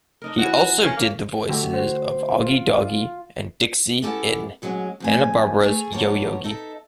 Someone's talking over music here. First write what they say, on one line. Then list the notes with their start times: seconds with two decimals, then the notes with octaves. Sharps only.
He also did the voices of Augie Doggie and Dixie in Hanna-Barbera's Yo Yogi!
0.22 D4 D#4 A#4
0.39 E3 C#4 E4 F#4
0.83 C#4 A#4 C#5 F5
0.97 A#3
1.49 D3 A3 F#4 G4
1.73 F#4 C5
2.39 F4
4.02 G#3 B3 C#4 E4 G4 A4
4.62 G#2 F#3 G#3 C4 C#4
5.00 F2 A2 G#5
5.61 A3 G#4
5.92 F3 A#3 B3 C#5
6.44 D#4 A4 E5